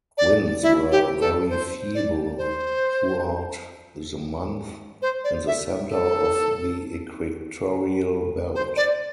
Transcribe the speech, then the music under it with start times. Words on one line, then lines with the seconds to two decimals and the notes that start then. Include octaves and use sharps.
Winds were very feeble throughout the month in the center of the equatorial belt.
0.18 D5
0.63 E4
0.91 G4
1.20 A4
1.50 C5
1.95 D5
2.38 C5
5.02 C5
5.24 D5
5.47 E5
5.90 A4
8.55 C5
8.77 D5